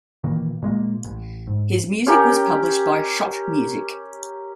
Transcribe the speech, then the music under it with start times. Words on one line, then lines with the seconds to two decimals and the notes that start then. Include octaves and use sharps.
His music was published by Schott Music.
0.24 A#2 D#3 E3 A#3
0.62 A#2 G#3 A#3
1.04 A1
1.47 G#2
2.07 C#4 G4 A#4 G5